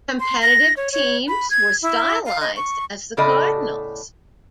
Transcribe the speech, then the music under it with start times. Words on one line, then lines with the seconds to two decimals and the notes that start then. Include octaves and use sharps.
Competitive teams were stylized as the Cardinals.
0.20 C6
0.42 A#6
0.77 C#5
0.92 C#5
1.28 B5
1.51 G#6
1.82 E4
2.26 F5
2.41 D#5
2.57 C#6
3.17 A2 C#3 B3 A4 D5 D#5